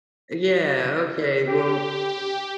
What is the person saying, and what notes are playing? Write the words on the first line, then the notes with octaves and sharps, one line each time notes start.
yeah, okay, well,
G4